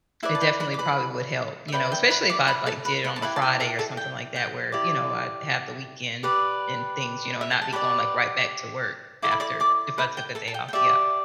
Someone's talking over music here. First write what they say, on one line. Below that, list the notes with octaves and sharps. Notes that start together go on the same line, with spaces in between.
it definitely probably would help, you know, especially if I'd, like, did it on a Friday or something like that where, you know, I'd have the weekend and things, you know, not be going, like, right back to work after if I took a day off. Yeah.
E4 B4 D5 E5
A5
G5
B4 B5
D6
B4 B5
E5
E4 B4 D5 G5
G5
B4 B5
D5 D6
B4 B5
A4 A5
B4 B5
B4 B5
A5
E4 G4 B4 D5 B5
A5
G5
A4 A5
A4 A5
G5
G5
E4 G4 D5
G4 B4 D5
E5
G5
A5
G4 B4 D5 B5
E4 A4 D5 D6
B5
D5 D6
D5 D6
B4 B5
G5
A4 A5
A5
G5
G5
G4 D5 E5